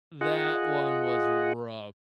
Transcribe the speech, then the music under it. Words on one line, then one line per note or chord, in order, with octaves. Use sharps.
That one was rough.
F4 G#4 D#5 F#5